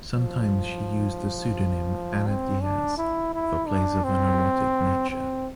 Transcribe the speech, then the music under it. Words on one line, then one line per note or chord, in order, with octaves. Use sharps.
Sometimes she used the pseudonym Ana Díaz for plays of an erotic nature.
F3
C4
D4
E4
E4
D4
C4
C4